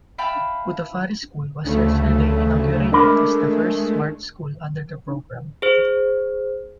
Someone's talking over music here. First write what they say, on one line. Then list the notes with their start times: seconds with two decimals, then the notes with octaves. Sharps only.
Kudafari School was yesterday inaugurated as the first Smart School under the programme.
0.18 E5 F5 G5 A5 B5
1.64 D2 C#3 A3
2.92 G#3 A3 D4 A#4 B5
5.62 G#4 C5